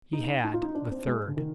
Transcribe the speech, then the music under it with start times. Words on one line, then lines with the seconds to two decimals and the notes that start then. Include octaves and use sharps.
He had--the third.
0.13 D#4
0.44 D#4
0.54 F4
0.63 D#4
0.75 D4
0.91 C4
1.07 G#3
1.27 D3
1.37 D#3